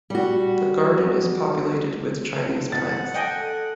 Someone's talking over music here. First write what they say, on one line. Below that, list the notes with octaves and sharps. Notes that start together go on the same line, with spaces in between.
The garden is populated with Chinese plants.
G3 F#4
F#5 A6
A4 D#5 G5 G#5